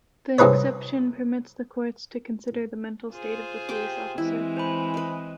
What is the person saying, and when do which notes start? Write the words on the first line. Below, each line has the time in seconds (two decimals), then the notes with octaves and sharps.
The exception permits the courts to consider the mental state of the police officer.
0.39 G2 C3 G#3 D#4 B4 C#5
3.14 F4 G#4 C5
3.69 G4 G5 D6
4.18 E3 G#3 C4 E4
4.57 C5 G#5 B5
4.94 B4 D#5